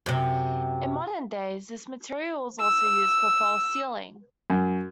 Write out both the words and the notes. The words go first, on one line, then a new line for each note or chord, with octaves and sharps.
In modern days this material is also used for False Ceiling.
F#2 C3
E6
F#2